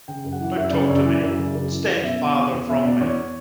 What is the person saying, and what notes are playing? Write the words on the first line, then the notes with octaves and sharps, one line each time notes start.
Don't talk to me, and stand farther from me!
C#3 G5
F#2
F#5
E3
F#2 E5
C#3 D5
C#5
F#2 D5
E3
F#2
C#3
F#2
E3
F#2
B2 E5
B2 D5
E2 C#5
E2
B2 E5
B2 D5
E2 C#5